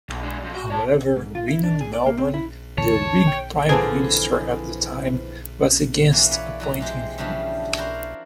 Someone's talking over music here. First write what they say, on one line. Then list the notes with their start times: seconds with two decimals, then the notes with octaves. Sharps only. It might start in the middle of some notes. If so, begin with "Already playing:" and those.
However, William Melbourne, the Whig Prime Minister at the time was against appointing him.
0.09 B1
0.23 G#3 D4
0.40 F#2 F3
0.55 F#4
0.70 C#5 A5
1.16 G#2
1.35 F4
1.48 E4
1.64 D4
1.81 G#4
1.93 D5
2.06 A#3
2.18 C4
2.34 E4
2.78 E2 D3 E3 C#5 A5
3.27 G5
3.69 D3 E3 F3 C4 G#4 B4 A5
6.13 E3 A#3 C#4
6.31 B4 C#5 D5
6.60 E3 F#3 A#5
6.80 C3 G#3 G4 C5
7.18 C#3 E3 F3 G3 A3 D4
7.78 E4 F#4 A#4 C5 D5 F5